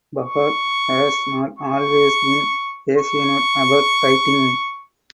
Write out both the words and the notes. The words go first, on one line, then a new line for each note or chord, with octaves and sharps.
Bahgat has not always been passionate about writing.
C#6
C#6
C#6